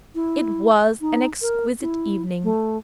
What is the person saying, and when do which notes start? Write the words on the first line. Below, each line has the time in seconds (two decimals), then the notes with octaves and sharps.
It was an exquisite evening.
0.15 E4
1.01 D#4
1.42 A#4
1.81 E4
2.44 A3